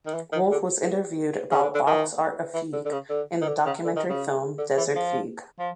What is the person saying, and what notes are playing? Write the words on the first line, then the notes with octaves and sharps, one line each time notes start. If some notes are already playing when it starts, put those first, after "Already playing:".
Wolff was interviewed about Bach's Art of Fugue in the documentary film Desert Fugue.
D#3
E3
D#3
D3
C#3
D3
D3
D#3
E3
D3
D3
C#3
D3
D#3
D3
C#3
D3
D#3
C#3
D3
E3
F3
F3